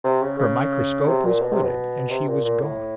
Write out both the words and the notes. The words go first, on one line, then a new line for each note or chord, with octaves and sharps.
Her microscope was hooded and she was gone.
C3
C#3
C#3
C3
A#2
B2
C3
B2
C3
A#2
A#2
A2